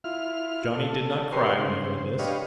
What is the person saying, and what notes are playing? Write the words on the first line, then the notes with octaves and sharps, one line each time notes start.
Johnny did not cry when he heard this.
E4 F4 F6
A4
G4 A#4 B4 C#5 C6
C#3 C5
D4 G4 B4 C#5 D#5 F5